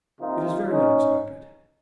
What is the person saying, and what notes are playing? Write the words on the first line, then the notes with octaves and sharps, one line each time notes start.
It is very unexpected.
C3 F3 A#3 D#4 F4
C#4 D#4